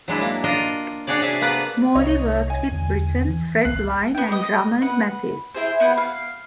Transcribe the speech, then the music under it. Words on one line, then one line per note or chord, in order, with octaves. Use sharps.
Morley worked with Britons Fred Vine and Drummond Matthews.
F#3 G#3 D4 E4
A#3
D4 F4 A#4 D#5
D4 F#4 G#4 C#5 D5
C3 G#4 D5 E5
C3 A#3 B3 B4 D5
C2 D#4 C#5 D#5
G#5
E2 D3
E3
G#1 C#2 F#6 C7
B3 G5
D5 D#5
B4 F#5
E4 G#4 C5
B3 E4 F#5 G5
F5